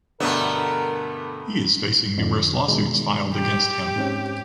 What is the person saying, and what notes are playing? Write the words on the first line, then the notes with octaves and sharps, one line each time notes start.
He is facing numerous lawsuits filed against him.
G2 B2 D3 A3 B3 A#4
F2 D3
B2 D#3 G#3
G4
G#2 C4 C#4